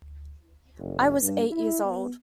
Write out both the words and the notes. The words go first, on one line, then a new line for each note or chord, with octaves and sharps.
I was eight years old.
F#1
G2
E4
B3